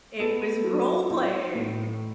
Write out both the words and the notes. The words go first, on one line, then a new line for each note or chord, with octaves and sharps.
It was role playing.
B3 A4
F#3
D#4
A2